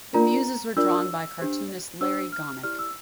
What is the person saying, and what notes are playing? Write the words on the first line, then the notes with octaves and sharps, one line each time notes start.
The Muses were drawn by cartoonist Larry Gonick.
D4 F4 A#4 D5 A#5
D4 F4 A#4 D5 E6
D4 G4 C5
D4 G4 C5 E6
F6
E4 G4 D5 F6
E6